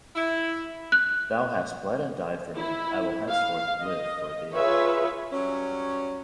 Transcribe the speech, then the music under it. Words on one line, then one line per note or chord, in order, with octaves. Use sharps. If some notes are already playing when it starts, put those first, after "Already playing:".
Thou hast bled and died for me, I will henceforth live for Thee.
E4
F#6
E4
F5
D#5
F4 G#4 B4 C#5 E5
F#3 G3 C#4